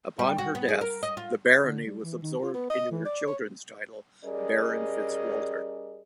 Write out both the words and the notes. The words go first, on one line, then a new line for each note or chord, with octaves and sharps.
Upon her death, the Barony was absorbed into her children's title Baron FitzWalter.
G3
F#4
B3
G#4
A#4
D#5
F4
D3
G3
E3
D#3
F4
B3
D#5
E3
D5
C#5
G3 C#4 G#4 A#4 D5 D#5